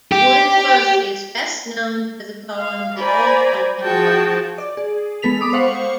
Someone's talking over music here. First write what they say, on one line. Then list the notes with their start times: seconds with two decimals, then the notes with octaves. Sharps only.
Woodworth is best known for the poem "The Old Oaken Bucket".
0.12 G4
2.54 F5
2.98 C5 D5 G#5 A#5 B5
3.82 F3 F#4 G#4 G5 A5
4.58 D5
4.77 G#4
5.22 G#3 B3 A4 B6 F7
5.41 B5 D6 D#6
5.53 C5 F5 F#5 C#6